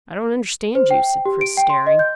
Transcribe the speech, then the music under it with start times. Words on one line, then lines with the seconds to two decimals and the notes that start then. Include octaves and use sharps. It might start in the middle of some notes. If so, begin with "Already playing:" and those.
"I don't understand you," said Chris, staring.
0.75 C5
0.91 G5
1.26 G4
1.41 D7
1.57 G5
1.70 C6
1.87 D#5
1.99 G6